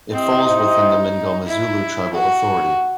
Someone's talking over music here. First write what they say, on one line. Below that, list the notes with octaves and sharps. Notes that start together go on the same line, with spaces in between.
It falls within the Mngomezulu Tribal Authority.
C4 E4 G4 C5 D#5
D#4
E4
F#4